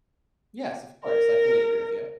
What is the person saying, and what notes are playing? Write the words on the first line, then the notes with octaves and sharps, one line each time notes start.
Yes, of course, I fully agree with you.
A#4